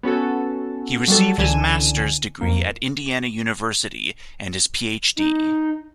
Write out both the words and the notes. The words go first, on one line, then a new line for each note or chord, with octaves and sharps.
He received his master's degree at Indiana University, and his PhD.
B3 C#4 F#4 A4
F#3 G3 A4
C#2 D3 E3 G#5 D#7 E7
F2 A#3
D#4